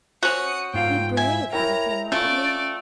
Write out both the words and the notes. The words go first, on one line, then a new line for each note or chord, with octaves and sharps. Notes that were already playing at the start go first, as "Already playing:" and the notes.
'Be brave,' he went on rapidly.
C#4 F#4 C5 D#6 C#7
G#2 F4 F5 G5
E5 G#5
E4 A#4 C#5 G5 A#5
A3 C#4 F4 D5